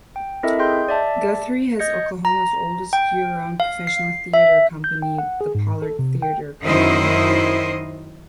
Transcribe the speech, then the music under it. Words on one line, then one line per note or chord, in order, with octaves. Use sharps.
Guthrie has Oklahoma's oldest year-round professional theatre company, the Pollard Theatre Company.
G5
C4 E4 A4 A#4 D#5 E5
G#4 D#5 G5 C6 G6
D5 E5 A5
D#5 G6 G#6 A#6 C#7
A#5
G5
F5
C7
E5
G6
G5
F#5
G#4
G#2
A4
C3
G5
F#2 D#3 E4 C5 D#5